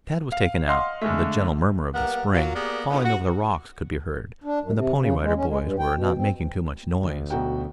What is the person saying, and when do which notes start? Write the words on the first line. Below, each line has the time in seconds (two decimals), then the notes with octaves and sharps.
Tad was taken out where the gentle murmur of the Spring falling over the rocks could be heard when the Pony Rider Boys were not making too much noise.
0.32 F5
0.68 D#5 F5 F#5 C6 F6
1.01 D3 G#3 A3
1.94 G3 A#3 B3 A#4 F#5
2.34 F#3 A#3 F4
2.55 A#3 B3 G4 G#4 A#4 D5
2.90 G2 A#2 D3 B3 C#4 D#4
3.04 F#4
4.44 D4
4.60 F#2
4.74 C3
4.98 C#3
5.22 G#3
5.35 C#4
5.48 G#3
5.60 G2
5.79 G5
5.94 B2
6.17 C4
7.03 D2
7.30 B1 F#4 G5